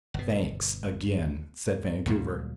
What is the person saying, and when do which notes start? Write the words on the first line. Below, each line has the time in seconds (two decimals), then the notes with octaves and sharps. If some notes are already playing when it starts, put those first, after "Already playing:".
"Thanks, again," said Vancouver.
0.14 G1 B2
2.06 D2 A#2 F#3 G3